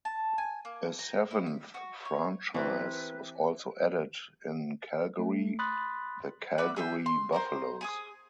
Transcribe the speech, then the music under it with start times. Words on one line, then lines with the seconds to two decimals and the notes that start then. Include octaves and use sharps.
A seventh franchise was also added in Calgary, the Calgary Buffaloes.
0.05 A5
0.38 G#5
0.65 A#3
0.99 A#5
1.31 E4
1.46 B5
1.74 F#4
2.05 C#5
2.54 E3 C4 G4 A#4 B4
5.19 A3
5.59 B5 C6 D#6 F#6 A6
6.58 F#4 B4 D5 E5
6.76 G#4 E5 G5
7.06 C6
7.33 A#4 C5 C6
7.81 G#4 G#5 D#6